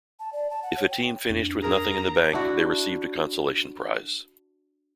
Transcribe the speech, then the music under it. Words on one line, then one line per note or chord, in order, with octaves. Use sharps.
If a team finished with nothing in the bank, they received a consolation prize.
A5
D5
A5
F#5
C#5
G5
F2 C#4 D4
G#4 A#4 A#5
D4 E4 F#4